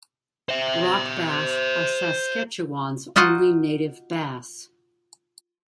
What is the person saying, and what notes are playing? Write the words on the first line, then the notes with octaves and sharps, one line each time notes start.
Rock bass are Saskatchewan's only native bass.
C5 E5
D#4 F4 F#4 D#5 F5